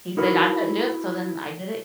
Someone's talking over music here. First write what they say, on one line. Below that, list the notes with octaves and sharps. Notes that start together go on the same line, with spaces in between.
He said I couldn't do it, so then I did it.
D#4 E4 F#4 A#4 B4